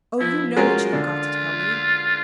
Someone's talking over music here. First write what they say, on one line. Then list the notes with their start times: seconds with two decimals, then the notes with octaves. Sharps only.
Oh, you know what you have got to tell me!
0.20 F3 E4
0.57 G#3 C#4 F4 F#4 A#4
0.93 D3 F4